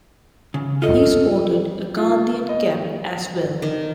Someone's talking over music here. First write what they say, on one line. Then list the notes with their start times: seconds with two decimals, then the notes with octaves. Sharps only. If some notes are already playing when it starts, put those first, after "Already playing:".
He sported a Gandhian cap as well.
0.54 C#3
0.82 F4 A4 D#5
1.97 F4
2.49 D#5
3.62 D#3